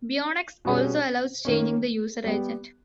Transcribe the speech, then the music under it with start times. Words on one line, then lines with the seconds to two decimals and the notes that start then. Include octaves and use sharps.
Beonex also allows changing the user agent.
0.65 B2 G3 C#4 G#4
1.45 D#3 A#3 C#4
2.24 G3 B3 G4